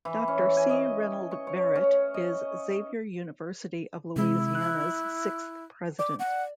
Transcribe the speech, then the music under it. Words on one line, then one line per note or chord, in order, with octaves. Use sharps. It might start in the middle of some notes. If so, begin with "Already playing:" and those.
Doctor C. Reynold Verret is Xavier University of Louisiana's sixth president.
E3
C#4
G#5
D#5
C#6
C#5
C#4
D#5
C3 G#3 E4
F#6
D5 D6
F#5